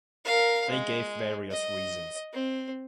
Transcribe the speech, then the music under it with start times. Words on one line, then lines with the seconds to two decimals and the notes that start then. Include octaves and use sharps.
They gave various reasons.
0.25 A#4 F5
0.70 G#3
1.51 D#5
2.33 C4